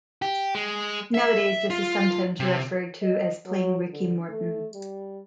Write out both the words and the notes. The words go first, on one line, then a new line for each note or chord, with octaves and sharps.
Nowadays, this is sometimes referred to as "Playing Ricky Morton".
G4
G#3
E5
F4
C3
D#5
F#3
D3
A3
G3